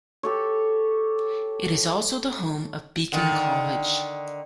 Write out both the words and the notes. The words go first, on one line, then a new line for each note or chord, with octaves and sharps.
It is also the home of Beacon College.
G4 A4 C#5
D3 D#3